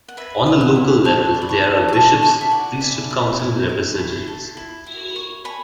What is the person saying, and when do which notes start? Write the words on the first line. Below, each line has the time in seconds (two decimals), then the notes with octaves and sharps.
On a local level there are Bishops, Priesthood Council representatives.
0.08 F#5
0.17 B4 E5
0.46 B4
0.61 F#5
0.76 E4
1.05 E4 A5 C#6
1.34 D5
1.42 B5
1.49 A5 C#6
1.64 D5
1.88 D6
1.93 D5 A5 C#6
2.22 D5 A5 C#6
2.41 E5
2.51 D5 F#5
2.81 D5 E5 G#5
3.11 E4
3.40 E4
3.69 E4
3.99 E4
4.28 A4
4.57 E4
4.86 E4
5.16 C#5
5.45 C#5 G#5 B5